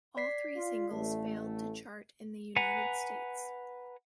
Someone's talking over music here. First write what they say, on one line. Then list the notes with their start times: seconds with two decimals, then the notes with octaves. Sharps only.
All three singles failed to chart in the United States.
0.17 D5 B6 C7
0.56 F4
0.91 A1 A3
2.56 B4 F#5 G#5 A#5